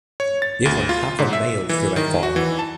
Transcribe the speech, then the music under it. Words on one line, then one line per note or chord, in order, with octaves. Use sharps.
They run half a mile through my farm.
C#5
A6
D2
F4
G#2
E5
E3
D#3
F#4
E3
A5